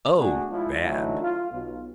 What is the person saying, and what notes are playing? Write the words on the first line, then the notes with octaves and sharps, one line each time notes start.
"Oh! Bad!"
B2 A3 D4 F#4 G#4
F3 G#3 E4
D3 E3 F#3 A3 D#4 E4
F4
B1